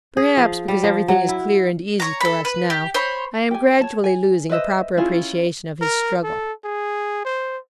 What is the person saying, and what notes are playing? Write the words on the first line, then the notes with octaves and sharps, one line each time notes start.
Perhaps, because everything is clear and easy for us now, I am gradually losing a proper appreciation of his struggle.
G#4
F3
G3
F3
F#3
E4
C#5 A#5
A4 B5
B4
G4
C5 C#5 B5
G4 G#5
C#5 A5
G#5
B4 C5 D#5 E5
C#4 E4 F4 G#4
A#4
A4
G#4
C5